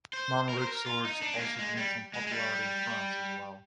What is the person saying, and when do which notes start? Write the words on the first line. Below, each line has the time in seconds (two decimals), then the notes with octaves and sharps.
Mameluke swords also gained some popularity in France as well.
0.13 C5
0.49 A#4
0.59 C5
0.67 A#4
0.86 F4
1.05 D#4
1.22 D4
1.34 G#3
1.40 A#3
1.59 G#3
1.77 G3
2.14 G#3
2.27 G#3
2.31 G3